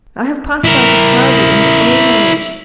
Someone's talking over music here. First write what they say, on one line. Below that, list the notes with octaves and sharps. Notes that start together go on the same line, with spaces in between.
I have passed out of childhood into old age.
E4 A#4